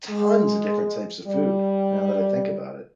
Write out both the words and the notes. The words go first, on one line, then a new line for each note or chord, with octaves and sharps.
tons of different types of food, now that I think about it,
G#3
G3